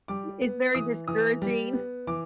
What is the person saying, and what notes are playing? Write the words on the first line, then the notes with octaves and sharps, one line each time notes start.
It's very discouraging.
G3 D6
B3
E3 D#6
E3 D#6
G3
B3
E3 D6